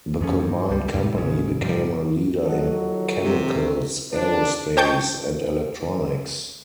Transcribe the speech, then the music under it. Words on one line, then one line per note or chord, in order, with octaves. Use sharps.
The combined company became a leader in chemicals, aerospace, and electronics.
F2 F3 C#4
G2
C#2 G3
E2 A2 C3
A1 C#3
G#2 C3 F3 G3
D#2 F3 F#3 A4 D#5 F#5
C3
D4
C5 D#5 G5 A5 C#6 G6